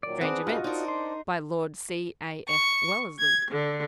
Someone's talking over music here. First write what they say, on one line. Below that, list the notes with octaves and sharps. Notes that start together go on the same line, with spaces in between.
"Strange Events," by Lord C. A. F. Wellesley.
A#2 D#3 F#3 D5
C4 D4 G#4 B4 D5 F#5
G2 D#4 F4 F#4 D#5
D4 D#4 A#4 C5 D5
C6
C#6
G#6
D3